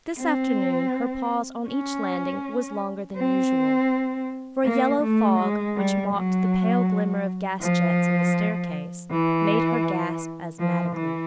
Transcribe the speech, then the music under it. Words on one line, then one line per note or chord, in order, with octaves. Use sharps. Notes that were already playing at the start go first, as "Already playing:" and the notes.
This afternoon her pause on each landing was longer than usual, for a yellow fog, which mocked the pale glimmer of gas-jets on the staircase, made her gasp asthmatically.
C4
C#4
C4
A#3
A3
G#3
G3
F#3
F3
E3
F3
E3